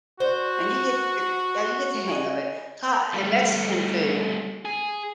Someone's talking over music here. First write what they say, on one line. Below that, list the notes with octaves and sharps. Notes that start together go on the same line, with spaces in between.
And you get eh yeah, you get the hang of it. Ha and Mexican food,
F#4 C5
D#5 G#5
G3 A3
G#4